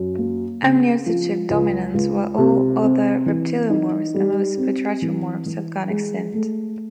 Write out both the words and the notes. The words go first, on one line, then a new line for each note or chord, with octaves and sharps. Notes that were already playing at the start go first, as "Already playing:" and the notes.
Amniotes achieved dominance, while all other reptiliomorphs and most batrachomorphs have gone extinct.
Already playing: F#2
A#3
C#3
F3
C#2
C#2
C3
C4
E3
D#4
G3
C4
E3
E3
G#3
A3